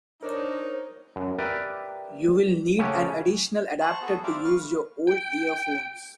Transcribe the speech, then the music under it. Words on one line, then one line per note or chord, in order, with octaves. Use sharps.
You will need an additional adapter to use your old earphones.
D4 D#4 A#4 C5 C#5
F#2
G4 A#4 B4 D5 E5
C#3 A3 C#4 G4 F#5 G#5
C5 F#5 A5 A#5 C#6
B3 F#4 G#4 A4
C4 C5 D5 E5 F5 A#5
B4 F5 C#6 F6
G5